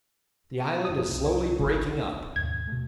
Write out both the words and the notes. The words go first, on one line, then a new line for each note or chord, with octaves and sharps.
"The island is slowly breaking up."
F#1 C4 D#6
C2
C#5
G#1
D#2 G#2 B2 G#6
B2 A3